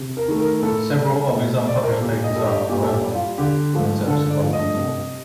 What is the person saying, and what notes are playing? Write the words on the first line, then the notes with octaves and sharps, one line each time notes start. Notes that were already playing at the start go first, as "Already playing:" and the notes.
Several of his unpublished papers are, however, known to have survived the war.
Already playing: C3
A#4
D#3 A3
A#4
A2 A4
G3
A2
G3 D5
C5
A#4
A4
A#2 G4
D#5
G3 A4
G4
A#2 G4
A4
G4
G3
F4
D3 G4
F3 A3
D3 A4
D5
F3 A3
D#5
C3